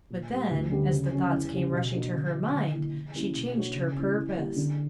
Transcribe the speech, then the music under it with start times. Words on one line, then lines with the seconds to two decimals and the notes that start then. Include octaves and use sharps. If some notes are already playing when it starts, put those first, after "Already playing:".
But then, as the thoughts came rushing to her mind, she changed her purpose.
0.10 A#2
0.30 G3 B3
0.51 D2
0.71 D3 G3 B3
0.91 C#3
1.12 F#3 C#4
1.33 E2
1.52 C#3 G3 C#4
1.72 B2
1.93 A#3 D4 F#4 A#4
2.14 D3
2.34 F#3 B3
2.54 D3
2.74 A#3 E4
2.94 E3
3.15 G3 A#3 C#4 E4
3.35 B2
3.55 A#3 D4 F#4 C#5
3.75 C#3
3.96 E3 A#3 C#4
4.17 E3
4.36 G3 A#3
4.56 D3